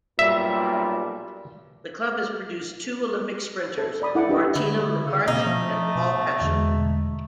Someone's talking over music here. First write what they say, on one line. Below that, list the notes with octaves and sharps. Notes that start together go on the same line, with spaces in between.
The club has produced two Olympic sprinters, Martina McCarthy and Paul Hession.
B1 A#2 G3 E5
A4
D5 B5 D#6
D#4 E4 A4 D5 F#5 D6
D4 G4 B4 D#5
D3 E4
C#3
B2 A#3 D#4
F3 A3
B2
E2 D3 G#3